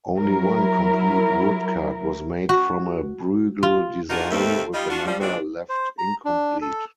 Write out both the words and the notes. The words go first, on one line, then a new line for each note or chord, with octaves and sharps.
Only one complete woodcut was made from a Bruegel design, with another left incomplete.
F#3 E4 A#4
F#4
F4
D4 D#4 F4 F#4 G#4 A#4
D#2 A3 C4
G3 D#4 F4
D4 F4 F#4
F3 G3
A#2 C#3 G#3 C4 D4 F#4
C5
A#5
D4
A4